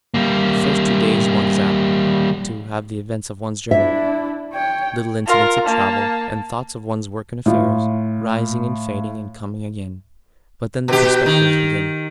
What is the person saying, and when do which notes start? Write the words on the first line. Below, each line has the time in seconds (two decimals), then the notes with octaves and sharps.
The first two days one is apt to have the events of one's journey, little incidents of travel, and thoughts of one's work and affairs, rising and fading and coming again; but then the perspectives begin.
0.14 G3 A#3
3.71 D4 E4 E5
4.54 C#5 G5
5.26 F4 A#4
5.66 A#3 A5
7.46 A2 F4
10.88 B2 G4
11.26 D#3